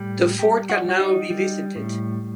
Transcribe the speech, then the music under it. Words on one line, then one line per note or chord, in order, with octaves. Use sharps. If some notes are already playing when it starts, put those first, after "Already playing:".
The fort can now be visited.
Already playing: A2 G3
G3 G4
F#4
G3 F#4
D#4
G3
A2